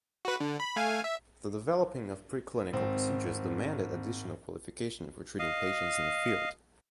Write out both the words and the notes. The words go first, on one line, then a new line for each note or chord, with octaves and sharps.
The developing of pre-clinical procedures demanded additional qualification for treating patients in the field.
F#4 B4
D3
B5
A3 F5 G#5
E5
G#1 C4
D#5 F5